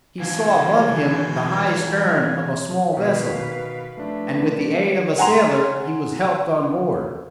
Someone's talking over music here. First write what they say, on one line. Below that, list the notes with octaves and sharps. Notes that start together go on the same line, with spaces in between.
He saw above him the high stern of a small vessel, and with the aid of a sailor he was helped on board.
G#2 B2 E3 F4 G#5
B2 D#3 B4 F5
F3 A3 D4 E4 B4
F#5 G#5 A#5 C6 F7